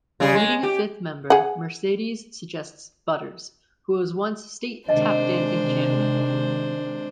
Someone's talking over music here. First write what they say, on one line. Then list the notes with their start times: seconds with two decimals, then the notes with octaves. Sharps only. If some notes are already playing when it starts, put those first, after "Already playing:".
Needing a fifth member, Mercedes suggests Butters, who was once state tap-dancing champion.
0.20 C#3 G3 G#4
0.35 G#3
0.63 G4
1.30 G#4 F#5
4.89 C3 D#3 G#3 D4 C5 D#5 A5